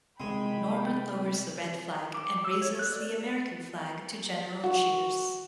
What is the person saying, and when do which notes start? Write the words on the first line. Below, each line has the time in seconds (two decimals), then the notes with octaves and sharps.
Norman lowers the Red flag and raises the American flag to general cheers.
0.20 C2 D#3 G#3 C4 G5 B5
2.14 D6
2.45 E6
2.62 C#5
2.79 F#6
2.93 D5
4.64 F#4